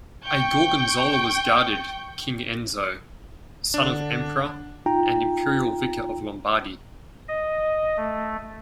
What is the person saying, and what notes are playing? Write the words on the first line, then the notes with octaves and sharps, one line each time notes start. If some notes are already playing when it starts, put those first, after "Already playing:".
A Gorgonzola was guarded King Enzo, son of Emperor and Imperial Vicar of Lombardy.
G5 C#6 G6
D3 D4
D#4 F4 G5 A#5
D#5
A3